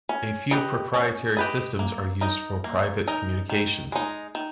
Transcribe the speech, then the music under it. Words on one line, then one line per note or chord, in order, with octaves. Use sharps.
A few proprietary systems are used for private communications.
C#4
G4 B4 D#5
C#4
G4 B4 D#5
A#3
D#4 A#4 D#5
A#3
D#4 A#4 D#5
D#3
G#3 D#4
D#3